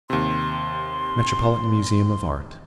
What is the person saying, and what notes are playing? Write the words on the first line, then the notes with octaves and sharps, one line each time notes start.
Metropolitan Museum of Art.
D#2 C3 C6